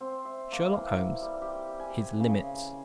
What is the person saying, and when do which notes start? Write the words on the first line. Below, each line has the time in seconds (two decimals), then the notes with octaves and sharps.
SHERLOCK HOLMES--his limits.
0.01 C4
0.25 E5
0.52 A#3
0.78 E3
1.21 G3
1.42 G4
1.80 G#5
2.20 C#3
2.55 G#5